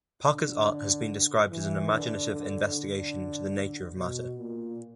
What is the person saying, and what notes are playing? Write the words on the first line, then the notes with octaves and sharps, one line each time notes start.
Parker's art has been described as an imaginative investigation into the nature of matter.
D3
E3
D3
D3
D3
B2
A#2